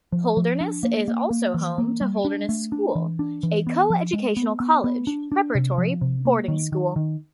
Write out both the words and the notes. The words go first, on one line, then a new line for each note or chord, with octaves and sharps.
Holderness is also home to Holderness School, a co-educational college-preparatory boarding school.
F3
F3
D4
A#3
A#3
A#3
E3
A#3
G3
D4
A3
D4
E3
D4
E3
B3
F3
G#3
B3
B3
B3
D4
D4
C3
F3
C3
A#3
D#3
D#3
D#3